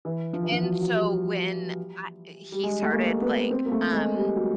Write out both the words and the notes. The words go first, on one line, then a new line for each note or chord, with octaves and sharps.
and so when I he started, like, um,
E3
F3
E3
F3
F#3
F#3
G3
G3
G#3
A3
A#3
B3
C4
A#3
A3
G#3
G3
F#3